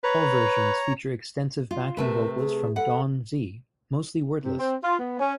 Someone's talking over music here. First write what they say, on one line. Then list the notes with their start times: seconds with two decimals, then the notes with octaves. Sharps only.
All versions feature extensive backing vocals from Dawn Zee, mostly wordless.
0.04 B4 C#5 A#5
1.71 F4
1.97 C3 A3 A#4 B4
2.38 G#4
2.76 A4 B4 F#5
4.44 C3
4.59 C4
4.84 F4
4.99 B3
5.20 C#4